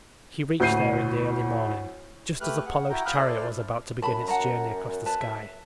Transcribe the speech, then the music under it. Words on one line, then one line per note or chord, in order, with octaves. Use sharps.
He reached there in the early morning, just as Apollo's chariot was about to begin its journey across the sky.
D2 A2 G6 C7 D#7
A3 G4 B4 F6 F#6
G#4 F#5
E4 F#4 G5 A#5
F5 G5 B5 D#6 F6 F#6
E4 A4 C5 D5 F6
F#2 A5 B5
F#5 A5 A#5
B4 A5
E5